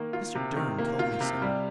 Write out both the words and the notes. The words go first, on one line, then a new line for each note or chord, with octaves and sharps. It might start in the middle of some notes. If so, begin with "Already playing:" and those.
"Mr. Durham told me so."
Already playing: D#3 A#3
F4
C3
D#3
A#3
F4
C3
G3